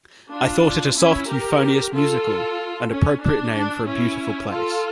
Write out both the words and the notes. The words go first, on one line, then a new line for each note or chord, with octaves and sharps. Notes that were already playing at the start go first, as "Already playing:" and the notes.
I thought it a soft, euphonious, musical and appropriate name for a beautiful place.
D4 F4
C#4 E4
G4 A#4
F4 A4
C#4
D4
D4
C#4 E4
F4 A4